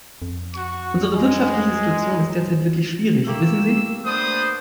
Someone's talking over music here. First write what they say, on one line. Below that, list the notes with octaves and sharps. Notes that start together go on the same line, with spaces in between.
Unsere wirtschaftliche Situation ist derzeit wirklich schwierig, wissen Sie.
F2
F#4 C#6
G#3
F#3
A3 A#3 G4 E6
B3 D4 C5 D#6